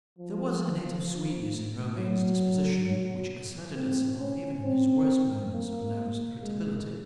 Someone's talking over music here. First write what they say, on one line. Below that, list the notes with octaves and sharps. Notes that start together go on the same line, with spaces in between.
There was a native sweetness in Romayne's disposition, which asserted itself even in his worst moments of nervous irritability.
F3
F#3
C4
C#4
C4
A#3
G#3